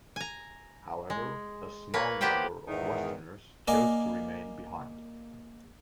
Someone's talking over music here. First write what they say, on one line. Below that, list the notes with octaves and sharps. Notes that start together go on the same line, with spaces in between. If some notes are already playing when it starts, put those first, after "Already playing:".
However, a small number of Westerners chose to remain behind.
G#5 A#5
G#3
A#3 B4 C#5
A#3 B3 G4 B4 C5 G5
E2 G#2 D#3
A#3 D5 D#5 G#5